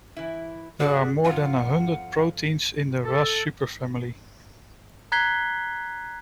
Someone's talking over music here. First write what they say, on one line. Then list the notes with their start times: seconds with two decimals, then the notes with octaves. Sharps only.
There are more than a hundred proteins in the Ras superfamily.
0.17 E3 E4
0.80 F#4 G#4 D5
1.25 F2 F4 F#5
3.04 A4
5.12 A#5 F#6 G#6 B6 C7 G7